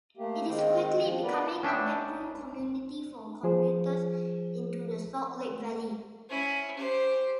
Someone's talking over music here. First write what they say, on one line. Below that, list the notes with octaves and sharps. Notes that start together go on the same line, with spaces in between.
It is quickly becoming a bedroom community for commuters into the Salt Lake valley.
A3 A#3 G4
D#3 G#3 C4 G5
F3
B3 A#4 B4 D5
C#4 D4 E5 G5
F3 G#4 C5
C#4 E4
G4 C5